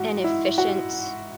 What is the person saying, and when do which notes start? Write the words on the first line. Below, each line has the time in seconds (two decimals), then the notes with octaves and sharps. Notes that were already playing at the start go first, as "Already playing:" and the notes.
an efficient,
Already playing: G#2 E3 F#4
0.24 E4
0.58 F#4